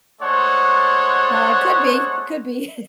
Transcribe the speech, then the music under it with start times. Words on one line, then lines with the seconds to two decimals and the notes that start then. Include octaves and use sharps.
Ah, could be could be,
0.22 G#3 A3 D4 C5 C#5 F#5